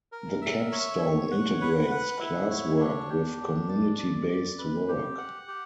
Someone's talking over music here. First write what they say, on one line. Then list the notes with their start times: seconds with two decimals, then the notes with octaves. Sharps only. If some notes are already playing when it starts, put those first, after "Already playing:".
The capstone integrates class work with community-based work.
0.12 A#4
0.42 E5
0.72 C#5
1.02 C#5
1.32 F#5
1.61 B4
1.91 F#5
2.20 E4
2.50 C#5
2.80 D4
3.10 G4
3.40 D4
3.69 D5
3.99 D5
4.29 D5
4.58 B4
4.88 G4
5.18 F#5
5.48 G4